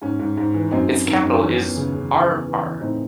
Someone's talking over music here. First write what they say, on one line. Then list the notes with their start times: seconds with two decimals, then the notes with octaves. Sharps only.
Its capital is 'Ar'ar.
0.02 G#2 C#4
0.19 G#2
0.37 G#2
0.54 E3
0.71 F#2 C4 D#4
0.89 F#2
1.06 D#3
1.24 F#2
1.41 E3 C#4
1.59 E2
1.77 C#3
1.94 C#3
2.12 E3
2.29 E2
2.46 E3
2.63 E3
2.81 A2 C4 D#4